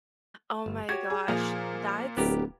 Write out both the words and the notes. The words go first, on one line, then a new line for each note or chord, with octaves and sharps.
Oh my gosh, that's
G1
F#4 G4 C#5 G#6
G#4
A#2 F3 A#3 G#4 A#5
D1 B3 G4 A#4